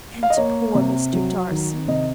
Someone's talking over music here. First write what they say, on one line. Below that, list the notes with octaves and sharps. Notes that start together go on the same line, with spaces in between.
And poor Mr. Darcy!
F5
D#5
A#3 C#5
C3
F#3
D#3
C3 D#5